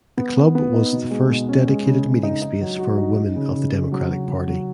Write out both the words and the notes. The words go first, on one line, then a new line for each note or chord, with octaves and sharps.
The club was the first dedicated meeting space for women of the Democratic party.
B3
B3
B3
D#4
B2
G#3
B2
C#4
G#3
C#3
C#3
D#4
D#4
F#3
F#4
D#4
D#4
C#3
C#3
C#3
F#3
F#3
F#3
F#3